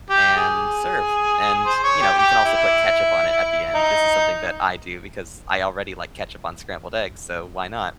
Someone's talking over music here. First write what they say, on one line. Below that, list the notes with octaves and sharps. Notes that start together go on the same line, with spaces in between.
and serve. And, you know, you can also put ketchup on it at the end. This is something that I do because I already like ketchup on scrambled eggs, so why not?
G4
G#4
C5
C#5
G4
G4
E4
D#4